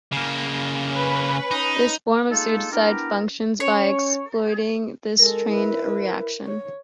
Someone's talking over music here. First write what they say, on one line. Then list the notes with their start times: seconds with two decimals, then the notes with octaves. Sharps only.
This form of suicide functions by exploiting this trained reaction.
0.12 C#3 A#3
0.90 C#4 B4
1.51 D#4
2.30 G#3 A#3 D#4 F4 A4
2.71 B3 D4 E4 G4 A#4
3.60 C#4 C#5
5.19 G#3 A4 A#4
5.51 E4 B4
6.47 C#5